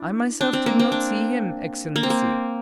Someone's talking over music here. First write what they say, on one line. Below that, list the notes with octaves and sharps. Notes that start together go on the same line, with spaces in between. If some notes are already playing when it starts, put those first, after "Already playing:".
I myself did not see him, Excellency.
Already playing: D4 E4
D4
C4
A#3
C4
D4
A#3
C4
A#3